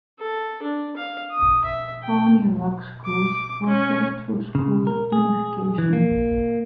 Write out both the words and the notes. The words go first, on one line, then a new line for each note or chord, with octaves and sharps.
Pawnee Rock schools were closed through school unification.
A4
D4
F5
D#6
E5
G5
D6
C#4
C#3
A#4
G#4
E3
A#3